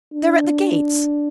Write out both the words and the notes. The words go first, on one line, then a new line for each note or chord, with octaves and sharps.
'They're at the gates!
D4